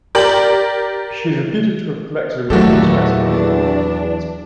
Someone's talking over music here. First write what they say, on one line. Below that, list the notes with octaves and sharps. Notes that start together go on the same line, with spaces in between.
She is reputed to have collected a range of specimens of living things.
G4 A#4 D5 F#7
E2 A#2 D#3 F#3 A3 F#4 G4 A4
D4